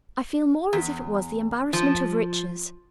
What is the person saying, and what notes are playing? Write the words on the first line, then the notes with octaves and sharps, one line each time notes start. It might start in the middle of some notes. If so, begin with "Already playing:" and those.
I feel more as if it was the embarrassment of riches.'
E2
F3